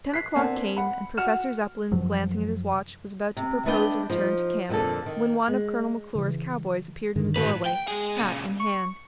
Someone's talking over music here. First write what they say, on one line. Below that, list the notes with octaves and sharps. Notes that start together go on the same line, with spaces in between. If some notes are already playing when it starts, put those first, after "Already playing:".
Ten o'clock came, and Professor Zepplin, glancing at his watch, was about to propose a return to camp, when one of Colonel McClure's cowboys appeared in the doorway, hat in hand.
F#6 B6 C7
A#3 C4 D4 F#5 G#5 A5
F#5 B5
F#4 F#5 F6 E7
F#2 C3 F3 F#3
C3
A3 B3 D4 D#5 E5 G5
F3 D#4
F2 A#2 D3 C4 A4
D#3
G#3
C#3 E3
G2 D3 D#3
A2 B4
G5
G#3 G#4
A#2 C#3
C#6